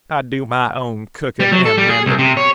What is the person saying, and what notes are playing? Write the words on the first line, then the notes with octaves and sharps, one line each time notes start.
I do my own cooking and mending.
G3
F#3
A4
G3
G#4
C2
C3
C#5